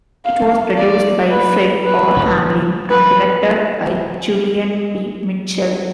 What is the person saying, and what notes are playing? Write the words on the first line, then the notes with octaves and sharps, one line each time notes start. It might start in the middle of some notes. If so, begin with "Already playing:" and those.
It was produced by Fred R. Hamlin and directed by Julian P. Mitchell.
F5
D5
B4
B4
B4